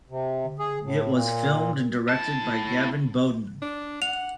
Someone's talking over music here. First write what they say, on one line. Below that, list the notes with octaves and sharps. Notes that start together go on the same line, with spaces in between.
It was filmed and directed by Gavin Bowden.
C3
G#4
A2
A#2
A2 A5
D4
F#5 F7